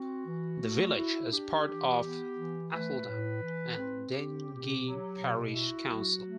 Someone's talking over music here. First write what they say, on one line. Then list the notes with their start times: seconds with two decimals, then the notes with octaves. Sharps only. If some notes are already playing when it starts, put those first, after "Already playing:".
The village is part of Asheldham and Dengie Parish Council.
Already playing: C4 F#4
0.26 E3
0.62 A3
0.97 E4
1.31 D4 G4
1.66 E3
2.02 B3
2.36 E3
2.72 A3 B4
3.06 A2
3.42 E3
3.77 C4
4.12 C4 G4
4.47 B2
4.82 F#3
5.18 B2
5.52 E4 F#4
5.87 F#3
6.23 A3